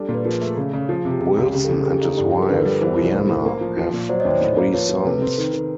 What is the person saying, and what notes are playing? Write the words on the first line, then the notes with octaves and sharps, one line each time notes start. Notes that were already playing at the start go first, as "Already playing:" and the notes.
Wilson and his wife Reanna have three sons.
Already playing: G3 D4 A4
A#2
B4
F3 G#4 A#4
A3
C#3 G#4
C#3
F3
C3
G4
C3 G#4
C#2
C#3 G4
A4
C#3 G#4
C#3 G4 A4
D#4
G2 G4 A4
F3
A#4
D3 A4 B4
G3
E3 A#4 C5
C2
A2
A2
A#3
F3
F3
A#2
F#3 C5 D5
D#2 C#5 D#5
C5 D5
A2
A#3
F3 B4 C#5
F3
C3 A4 B4
C4
D#3
D#3